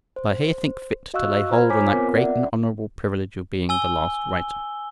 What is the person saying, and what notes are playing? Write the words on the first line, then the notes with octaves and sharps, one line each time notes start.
But I here think fit to lay hold on that great and honourable privilege of being the last writer.
C5
F#4 D#5 F5 C#6 E6 F#6
F4 C5 A#5 B5 F6 G#6
C5 C#5 G#5 D6 B6
B3 C4 F4 A#4
D5 E5 F#5
G#5 E6 G7